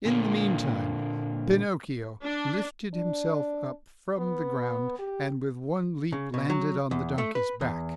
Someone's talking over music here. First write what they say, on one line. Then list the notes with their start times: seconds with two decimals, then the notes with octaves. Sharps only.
In the meantime, Pinocchio lifted himself up from the ground, and with one leap landed on the donkey's back.
0.05 A#2 D3 A#3
2.24 D4
2.94 D4
4.18 B3
4.99 G4
6.12 C#3
6.34 B2
6.50 F#3
6.91 E2
7.18 A3
7.35 B4
7.61 E2